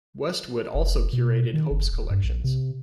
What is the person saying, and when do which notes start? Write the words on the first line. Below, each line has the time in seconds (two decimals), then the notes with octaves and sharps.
Westwood also curated Hope's collections.
0.74 F1
1.13 B2
1.53 D#3
1.71 F#1
1.92 D1
2.11 G2
2.24 A#1
2.44 C3